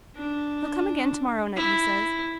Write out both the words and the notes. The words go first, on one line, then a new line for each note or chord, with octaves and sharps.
'He'll come again to-morrow night, he says.
D4
E4